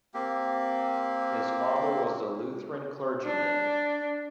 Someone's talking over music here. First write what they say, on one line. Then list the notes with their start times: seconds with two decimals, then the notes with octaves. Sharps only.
His father was a Lutheran clergyman.
0.14 A#3 C4 G4
3.24 D4